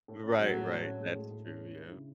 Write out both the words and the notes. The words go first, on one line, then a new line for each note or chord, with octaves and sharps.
Right, right, that's true, yep.
A2
C#4
F#3 G#3
A2
A2
C#4
G#3
A2
A2
C#4
G#3
E4
C#3